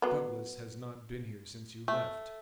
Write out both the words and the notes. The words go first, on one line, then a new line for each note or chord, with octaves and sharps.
Douglas has not been here since you left.
F#3 B3
A3